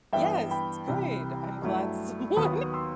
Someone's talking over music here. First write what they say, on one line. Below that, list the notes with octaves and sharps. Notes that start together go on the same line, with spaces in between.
Yes, good, I'm glad someone
G2 E3 B3 E4 E5 G5
G5 B5
C2 C3 E3
G2 F#3 A3 E4
D#2 D#3 F#3 B3 B5 D#6
C6 E6